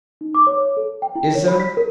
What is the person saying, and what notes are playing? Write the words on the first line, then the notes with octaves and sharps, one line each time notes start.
Is there?
D#4
D6
C#5
A4
G5
E4
C#5
B5
B6
A#4